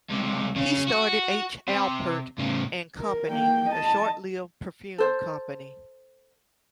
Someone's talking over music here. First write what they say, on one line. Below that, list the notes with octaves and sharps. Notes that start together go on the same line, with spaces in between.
He started H. Alpert and Company, a short lived perfume company.
C#2 C3
C#3 C#4
F#4
C3
A2 C#3
A#4
A#3 G5
D#5 A5
A4 C5